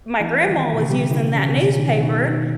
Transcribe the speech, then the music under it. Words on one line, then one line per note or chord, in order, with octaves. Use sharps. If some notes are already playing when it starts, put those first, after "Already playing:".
my grandma was using that newspaper
E3 E4
G3
D#3
E4
B2
C#3
G3
C#3 E4
C#4
C#3
B2 C#4
D#3
B2 D#3
D#3